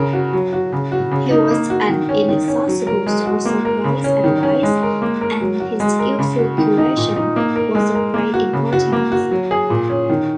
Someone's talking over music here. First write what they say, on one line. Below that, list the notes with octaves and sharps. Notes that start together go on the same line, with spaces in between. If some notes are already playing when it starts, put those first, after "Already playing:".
He was an inexhaustible source of wise advice, and his skillful curation was of great importance.
Already playing: C#3 A#4
F#4
F#3
F#4
C#3
F#4
C#3
D#4
A#3
F#4
D#3
C#4
D#3
C#4
F#3
A#4
G#3
F#4
A#3
A#4
C#3
C#4
D#3
C#4
G#3
A#4
A#3
A#4
F#3
F#4
G#3
A#4
C#3
F#4
D#3
D#4
A#2
D#4
A#3
A#4
G#3
A#4
A#3
F#4
C#3
F#4
A#3
F#4
F#3
G#4
A#2
C#4
D#3